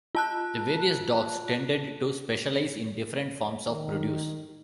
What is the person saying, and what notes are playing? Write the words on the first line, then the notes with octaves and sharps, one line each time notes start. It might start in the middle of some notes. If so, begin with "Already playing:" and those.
The various docks tended to specialise in different forms of produce.
F4 A5 F#6
D#3